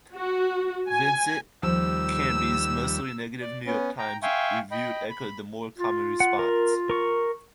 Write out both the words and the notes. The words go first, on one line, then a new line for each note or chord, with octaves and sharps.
Vincent Canby's mostly negative "New York Times" review echoed the more common response.
F#4
G#5
D#2 F3 G3 E6
D5
B3 C#4
G5 A#5
E5 F5 G5 G#5 C6 C#6
D#5 G5 B5
B5
F4
F#5
A#4
A#4 C#6